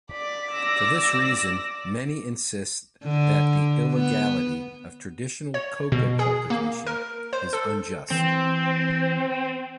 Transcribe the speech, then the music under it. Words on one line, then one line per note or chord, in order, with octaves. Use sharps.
For this reason many insist that the illegality of traditional coca cultivation is unjust.
D5 B6
E6 A#6
D3
B3
C#5
B2
G#4
A#3
A#4
C5
A4
E3 C4